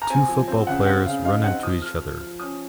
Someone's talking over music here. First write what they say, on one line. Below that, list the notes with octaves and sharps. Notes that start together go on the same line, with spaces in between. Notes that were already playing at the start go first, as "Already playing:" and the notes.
Two football players run into each other.
A#5
C4 G#5
F3
C4
C#3 F#5
C4 F#5
C#3 F5
D#4 F5
C4 F#5
F3 D#6
F3 F6
F3
F3
C#4 D#6